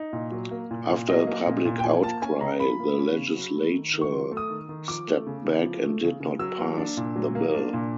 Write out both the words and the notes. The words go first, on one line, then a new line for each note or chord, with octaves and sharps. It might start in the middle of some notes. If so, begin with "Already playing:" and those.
After a public outcry, the legislature stepped back and did not pass the bill.
Already playing: D#4
A#2
F#3
A#3
A#2
A#2
F#3 D#5
A#3
A#2
A#2
G5
F3 G#5
A#3 A5
C#4 G#5
C#3 A#5
F3 B5
A#3
C#4
C#3
F#3
A3
D#3
D#3
C#6
F#3 C6
A3
D#6
D#3
D#3
F3 D6
A3
C#3
C#3
F3
A3
C#3
C#3
F#3 E6
A#3
D4
A#2
F#3
A#3
D4
A#2